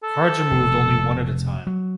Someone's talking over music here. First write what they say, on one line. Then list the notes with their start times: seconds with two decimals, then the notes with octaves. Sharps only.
Cards are moved only one at a time.
0.03 A4
0.51 F1 B2
1.67 F#3